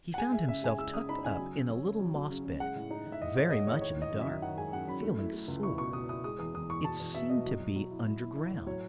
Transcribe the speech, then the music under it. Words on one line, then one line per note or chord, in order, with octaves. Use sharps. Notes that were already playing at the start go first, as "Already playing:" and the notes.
He found himself tucked up in a little moss bed, very much in the dark, feeling sore; it seemed to be under ground.
F#5
G#3 G#5
G#3 E5
C#3 E5
G#3 G#5
G#3 E6
C#3 D#6
D#4 B5
C#3 G#5
F#3
C#3
C#4
C#3
F#3
F#3
C#3
C#3
G#3 F#5
A2
D#4
A2
E5
A2 D#5
G#3 C#5
G#3 D#5
A2 C#5
D#3 C#5
D#3
D#5
F#2
E5
D#3
D#3 F#5
G#3 G#5
F#2 F#5
F#2 B5
A3
E4
A3
C#2
E4 C#6
B2 C#6
B2 D#6
E4 D#6
G#3 D#6
E2 D#6
E2 D#6
E2 C#6
B2 A5
E2
B2 E5
B2 D#5
F#3
F#3
F#3
E4
E4
E4
E4
A2
F#3 C#5